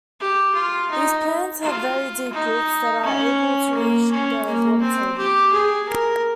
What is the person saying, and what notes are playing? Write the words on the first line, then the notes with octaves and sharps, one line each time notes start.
These plants have very deep roots that are able to reach the water table.
G4
F4
D#4
F4
D#4
C#4
A#3
C#4
A#3
C4
G4
G#4
A#4